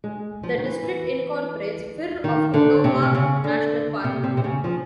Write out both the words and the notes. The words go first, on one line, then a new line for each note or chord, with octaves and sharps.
The district incorporates Fir of Hotova National Park.
G#3
F3
D#3
E3
E3
D#3
D3
C3
C3
C#3
D3
C3
C3
C3
C#3
F3